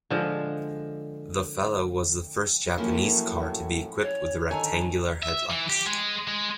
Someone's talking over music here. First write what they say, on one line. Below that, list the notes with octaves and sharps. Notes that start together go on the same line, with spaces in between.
The Fellow was the first Japanese car to be equipped with rectangular headlights.
D3 F3 G#3
A2 F3 F#3 A#3 C#4 E4 G#4
C#5
D3 D#3 A4 C#5 G#5 A#5
E5
E3
G4
G#3
G#3